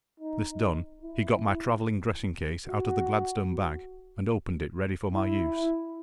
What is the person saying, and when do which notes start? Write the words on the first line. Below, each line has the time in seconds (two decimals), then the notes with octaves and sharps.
This done, he got my travelling dressing-case out of the Gladstone bag, and opened it ready for my use.
0.20 D#4
1.02 E4
2.68 F#4
5.14 E4